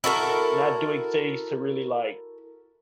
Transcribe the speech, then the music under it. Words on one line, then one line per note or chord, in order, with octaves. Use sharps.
not doing things to really, like,
E4 F#4 A4 A#4